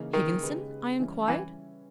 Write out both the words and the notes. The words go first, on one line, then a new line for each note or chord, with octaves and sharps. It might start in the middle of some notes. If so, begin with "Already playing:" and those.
'Higginson?' I inquired.
Already playing: C#3 E3 A#3 D#4
D#3
C#3 G#3 D#4 G4 B4
E3 G3 C#4 E4
E3